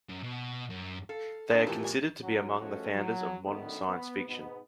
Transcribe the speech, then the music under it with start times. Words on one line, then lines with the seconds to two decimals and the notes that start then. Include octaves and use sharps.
They are considered to be among the founders of modern science fiction.
0.09 F#2
0.23 B2
0.70 F#2
1.09 A4 F5
1.50 G#3 C4 D4 B4 F5 A5 C6 D#6
1.67 A2 E3 B3 E4 F4 G4 A4 A#4
1.83 C#2 G#5
2.22 F#3 C#4 F#4
2.60 F3 G#3 A3 C#4 F#4 A4
2.92 F#3
3.44 F#2 D3 D#3 A3 B3
3.88 B3
4.27 G#2 B2 B3